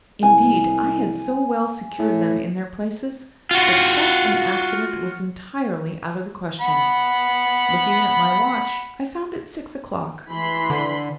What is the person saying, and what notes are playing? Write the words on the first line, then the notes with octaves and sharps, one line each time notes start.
Indeed, I had so well secured them in their places, that such an accident was entirely out of the question. Looking at my watch, I found it six o'clock.
C2 G#5
A2
F4 F#4
F#5 B5
E3 B5 C6
D3